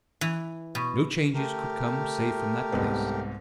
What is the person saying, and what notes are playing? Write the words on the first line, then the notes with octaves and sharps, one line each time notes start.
No changes could come save from that place.
E3
B2
A3 G4 A#4
C2 G#2 B3